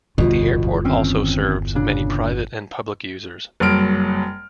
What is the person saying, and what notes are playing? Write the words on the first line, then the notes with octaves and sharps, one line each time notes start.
The airport also serves many private and public users.
D1 G1 E2 B2 F4
D#3 C4 C#4
A#2 C#3 D4
F#1 G2 F#3 F6 D7